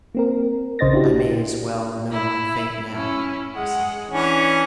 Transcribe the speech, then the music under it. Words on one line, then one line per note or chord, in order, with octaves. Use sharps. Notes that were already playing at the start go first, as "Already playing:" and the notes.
"I may as well know my fate now," he said.
A#3 C4 A#4
A#1 C#3 C5 D#5 A6 A#6
D4 E4 F#4 G4
E4
C#4 E4
G#3 F#5
E3 C#4 D4